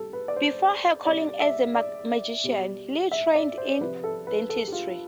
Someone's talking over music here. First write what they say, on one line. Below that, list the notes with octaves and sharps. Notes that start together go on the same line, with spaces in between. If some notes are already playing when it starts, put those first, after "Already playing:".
Before her calling as a magician, Lee trained in dentistry.
Already playing: C3 G3 A4
B4
D5
C5
C3 G3 D5
E5
D5
B2 G3
E5
D5
C5
C3 F3 B4
A4
B4
A4
G4
F4